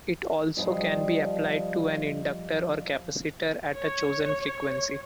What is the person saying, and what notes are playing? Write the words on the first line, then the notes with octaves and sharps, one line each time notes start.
It also can be applied to an inductor or capacitor at a chosen frequency.
F3 G3 D#5
C#5